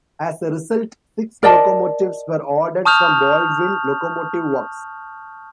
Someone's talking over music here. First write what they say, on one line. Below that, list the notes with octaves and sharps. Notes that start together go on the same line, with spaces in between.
As a result, six locomotives were ordered from Baldwin Locomotive Works.
A#4 D5 D#5 A5
A5 C#6 D#6 F6 G6 F7